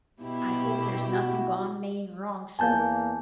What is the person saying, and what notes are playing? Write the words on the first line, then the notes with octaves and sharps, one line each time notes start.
I hope there's nothing gone main wrong, sir.
B2 E4 G4
F#4
E2 A#3 G#5 A5 G6